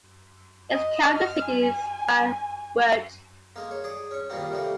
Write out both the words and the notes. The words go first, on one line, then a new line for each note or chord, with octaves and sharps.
Its county seat is Van Wert.
D#5
F6
G#5
G#3 A#3
C#5
G#4 D5 D6
C#4 C#6
A#2 D#3 G3 A#3 C4
C3 G3 A3 A#3